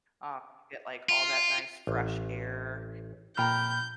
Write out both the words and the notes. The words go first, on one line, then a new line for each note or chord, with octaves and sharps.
um, you get, like, all that nice fresh air
F4
A1
F2 A#2 G5 A#5 B5 F6 G6